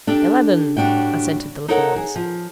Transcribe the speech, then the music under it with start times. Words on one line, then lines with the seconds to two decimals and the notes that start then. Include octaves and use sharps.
"Eleben!" assented the little ones.
0.07 D4 G4 A4
0.77 A2 G3 D4 F#4 G5
1.68 D#4 A4 A#4 C#5 F#5
1.96 G#4
2.16 F3